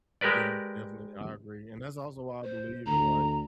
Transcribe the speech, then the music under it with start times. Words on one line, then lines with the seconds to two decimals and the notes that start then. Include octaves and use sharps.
Yeah, definitely, I agree, and that's also why I believe that, like,
0.21 G#3 G4 A#4 B4 D5
2.44 C5
2.86 D2 A#5